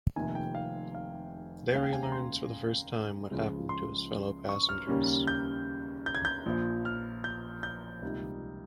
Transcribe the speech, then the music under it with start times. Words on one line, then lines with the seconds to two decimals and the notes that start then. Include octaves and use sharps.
There he learns for the first time what happened to his fellow passengers.
0.16 F1 F2 C3 D#3 A#3 G#5
0.35 G5
0.55 F5
0.95 F5
1.73 D#2 C#3 G#3 C#4 F5
1.83 G5
1.93 G#5
2.03 A#5
2.12 C6
3.31 C#2 C#3 F3 G#3
3.69 C6
4.49 C#6
4.69 F6
4.87 D#2 C#3 G3 A#3 C#4
5.27 G6
6.06 G6
6.15 G#6
6.25 G6
6.46 A#1 A#2 F3
6.85 F6
7.24 G6
7.63 G6
8.02 C#2 C3 G3 A#3 D#4